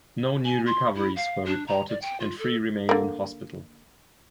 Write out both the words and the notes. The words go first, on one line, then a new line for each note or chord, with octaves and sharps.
No new recoveries were reported and three remain in hospital.
G#5
C6
E4
F5
D4
A#5
D5
G5
F4
A4
D3 A#3